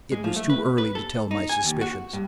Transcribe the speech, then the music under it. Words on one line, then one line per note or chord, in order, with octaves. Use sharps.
It was too early to tell my suspicions.
G#3
F3
A3
B4
B4
A4
D#4
G#5
D#2
F#4
G2